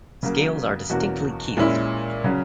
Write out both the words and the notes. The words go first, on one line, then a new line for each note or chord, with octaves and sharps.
Scales are distinctly keeled.
C#3 F#3 A#3
E2 B2 A#3 C#4 F#4
A#2 G#3 C#4 E4
C#3 F#3 C#4